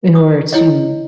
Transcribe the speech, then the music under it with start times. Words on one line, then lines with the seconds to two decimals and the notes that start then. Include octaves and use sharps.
in order to
0.15 D#6
0.53 E4 C#5 D#5